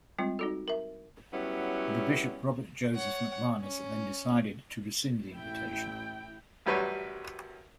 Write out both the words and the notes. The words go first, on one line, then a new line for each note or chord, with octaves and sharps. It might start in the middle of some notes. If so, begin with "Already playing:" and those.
The Bishop Robert Joseph McManus then decided to rescind the invitation.
G3 G#3 C4 F4
D#4 F#4 A4
A#4 E5
F#3 G3 B3 C#4 E4
C#5 F#5
C#4
A1 E4 G5
A1 F#2 G3 B4 C#5